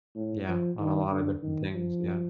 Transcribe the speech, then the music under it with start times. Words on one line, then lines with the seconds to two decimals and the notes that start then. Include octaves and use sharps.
Yeah, on a lotta different things, yeah.
0.16 A2
0.48 F3
0.79 D#3
1.11 D3
1.43 D#3
1.75 F3